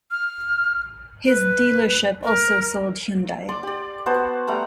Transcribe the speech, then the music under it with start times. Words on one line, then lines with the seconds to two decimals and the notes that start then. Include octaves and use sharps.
His dealership also sold Hyundai.
0.11 F6
1.26 B4
2.23 A#4
3.49 D5 C6 D6
3.63 G4 D5
4.06 B3 F#4 C5 A5
4.47 G3 A3 F#5 A#5